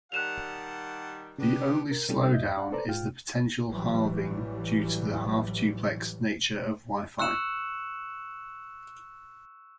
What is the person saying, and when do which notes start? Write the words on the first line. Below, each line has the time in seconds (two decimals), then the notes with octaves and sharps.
The only slowdown is the potential halving due to the half-duplex nature of wifi.
0.12 D#3 G3 F#5 A5 F#6 E7 F7
1.38 C#3 B3 D4 G4
1.91 A#4
2.09 B2 G3 C#4 D#4 G4 A4
2.33 E2 G#2 D#5 E5 G6
2.57 D4 D5 F5 F#5
2.72 A4 B4 C5 D5 A#5
2.89 G#2 F4 G5 F6
3.68 A1 E3 F#3 G3
7.19 C#6 E6 F#6 C#7 E7 F#7